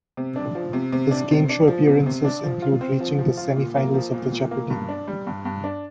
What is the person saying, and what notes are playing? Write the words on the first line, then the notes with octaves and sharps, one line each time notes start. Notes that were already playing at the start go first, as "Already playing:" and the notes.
His game show appearances include reaching the semi-finals of the Jeopardy!
C3
D4
F3
C3
C3
D4
C3
D4
F3
C3
C3
D4
F3
F4
C4
F3
F3
F4
A#2
A#3
F3
A#2
A#2
A#3
G2
D4
G3
G2
G2
D4